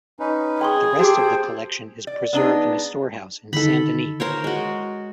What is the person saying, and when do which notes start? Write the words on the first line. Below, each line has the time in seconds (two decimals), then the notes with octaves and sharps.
The rest of the collection is preserved in a storehouse in Saint-Denis.
0.19 C#4 D#4 B4
0.61 G#4 G5 C6 C#6
0.99 F#4 G4 A4 C5 G5 D6
2.07 D5
2.33 B3 D4 D#4 G#4
3.53 D3 D#3 D#4 A4 B5
4.20 A#4 C5 C#5
4.44 G#3 F#4